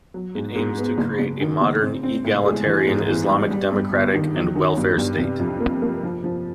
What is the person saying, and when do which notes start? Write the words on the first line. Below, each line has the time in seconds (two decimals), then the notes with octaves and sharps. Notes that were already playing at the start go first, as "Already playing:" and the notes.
It aims to create a modern, egalitarian, Islamic democratic and Welfare state.
0.14 F#3
0.35 G#2
0.56 G#2
0.78 B3
0.98 F#1
1.19 F#1
1.41 D#3
1.61 F#1
1.82 C4
2.03 C4
2.24 A2
2.45 G#3
2.66 E3
2.87 G#2
3.09 E3
3.29 G3
3.51 G3
3.72 G2
3.93 G1
4.14 D#3
4.35 F#3
4.55 D#3
4.77 G2
4.98 G2
5.18 C3
5.39 F2
5.60 A#3
5.82 A#3
6.03 F3
6.24 F3